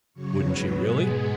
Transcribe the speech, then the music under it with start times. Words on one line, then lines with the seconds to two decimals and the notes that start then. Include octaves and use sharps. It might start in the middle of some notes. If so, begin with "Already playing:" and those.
"Wouldn't she really?"
0.14 F#2 C#3 F#3 C#5
0.42 G#2 F#3 B3 B4
0.70 B2 G#3 B3 G#4
0.99 G#2 G#3 B3